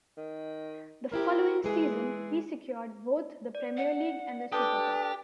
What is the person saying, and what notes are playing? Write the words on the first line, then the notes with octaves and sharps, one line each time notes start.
The following season, he secured both the Premier League and the Super Cup.
D#3
C4 E4 G4 A#4
E3 G#3 G#4
D5
F#5
D4 G4 A4 B4 D6 D#6